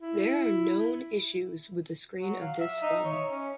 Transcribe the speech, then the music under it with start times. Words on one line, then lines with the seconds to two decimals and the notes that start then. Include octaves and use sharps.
There are known issues with the screen of this phone.
0.01 E4
2.21 F#3
2.41 F5
2.60 E5
2.82 D#4
3.05 C#5
3.31 C#4